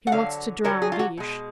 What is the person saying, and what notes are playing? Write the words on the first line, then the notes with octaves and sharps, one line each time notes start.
"He wants to drown Guiche."
F#5
D3 F#3 F5
D3 F#3 A#4
G#4
F4
F#4
B2 G#3